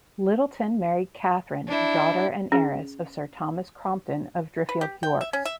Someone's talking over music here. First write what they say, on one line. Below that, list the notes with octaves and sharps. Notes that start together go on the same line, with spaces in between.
Lyttelton married Catherine, daughter and heiress of Sir Thomas Crompton, of Driffield, Yorks.
D4 E4
C#4 G#4
B4
G4
G5
E5
C#4
E5